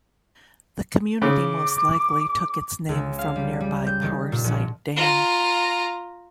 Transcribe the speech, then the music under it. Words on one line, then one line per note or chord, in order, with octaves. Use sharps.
The community most likely took its name from nearby Powersite Dam.
C#3 D6
C#2
F5
G3
G3
G6
D#3
A#2
A#1
F4 A#5